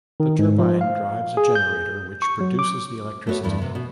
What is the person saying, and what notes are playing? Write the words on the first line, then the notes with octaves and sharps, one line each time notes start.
The turbine drives a generator which produces the electricity.
D#3
G#2
F3
F5
G#4
G6
C#6
F#3
D6
A3 B3 F#4 A4 C#5
E2 G2 E4 A4
C3 B3
B2